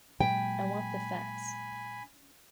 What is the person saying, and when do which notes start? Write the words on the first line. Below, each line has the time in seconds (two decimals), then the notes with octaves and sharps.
I want the facts.
0.21 A#2 F#3 G#3 G5 G#5 B5